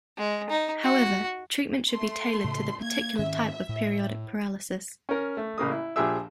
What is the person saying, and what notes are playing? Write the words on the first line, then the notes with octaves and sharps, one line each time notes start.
However, treatment should be tailored to the particular type of periodic paralysis.
G#3
D#4
F#4
A3 C6
A2 C#3
A#3 G#6
G#2 D#3 C#4 E5
A2
C#4 A#4
A3
A1 C#3 A#3 D#6
E4
A#1 F3 G4 G#4 E5 E6